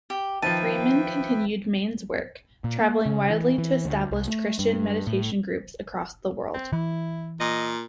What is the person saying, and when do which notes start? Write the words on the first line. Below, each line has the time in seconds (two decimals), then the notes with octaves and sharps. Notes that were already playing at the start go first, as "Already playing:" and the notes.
Freeman continued Main's work, travelling widely to establish Christian meditation groups across the world.
0.10 G4
0.42 D#3 F3 B4 C5 E5 G5 A5 D#7
2.64 A#2
2.79 A#3
3.06 C#3
3.29 E3
3.58 E3
3.85 D2
4.11 C2
4.28 A3
4.59 G2
5.07 A2
6.54 C4
6.73 E3 E4
7.40 A#2 D#5